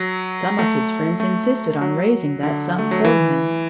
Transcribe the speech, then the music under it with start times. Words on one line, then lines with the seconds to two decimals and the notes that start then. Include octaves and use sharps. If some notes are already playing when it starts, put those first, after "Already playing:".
Some of his friends insisted on raising that sum for him.
Already playing: F#3
0.59 A3
1.20 A3
1.81 F#3
2.43 D3
2.78 A3
2.91 F#3
3.05 E3